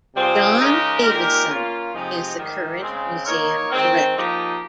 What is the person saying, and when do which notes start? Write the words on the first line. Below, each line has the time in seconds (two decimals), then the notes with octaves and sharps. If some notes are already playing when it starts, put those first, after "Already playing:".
John Davison is the current museum director.
0.15 C3 G3 C4 F4 G#4
0.59 C#3 G#3 D#4 G4 A#4
1.04 A#2 G#3 D#4 G4 A#4
1.49 A#3 C#4 F4
1.93 C3 F3 G#3 D#4 G4
2.37 G#2 D#3 G3
2.81 C#3 G#3 C4
3.26 A#3 D#4 A#4 C#5
3.71 D#3 G#3 C4
4.15 F3 A#3 D#4 G4